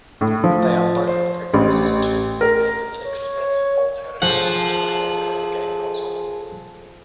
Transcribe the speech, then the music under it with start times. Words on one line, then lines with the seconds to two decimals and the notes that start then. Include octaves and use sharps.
They are both the precursors to and inexpensive alternatives to the handheld game console.
0.21 A2
0.44 F3
1.07 C5
1.54 A1
2.41 A#4
3.05 C#5
4.22 F3 G#4 A4 F#5